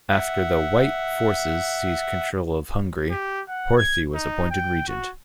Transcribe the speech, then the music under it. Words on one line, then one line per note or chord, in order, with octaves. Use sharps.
After the "white" forces seized control of Hungary, Horthy was appointed Regent.
E5 F#5
G4
F#5
G#6
D#4
G5
F#4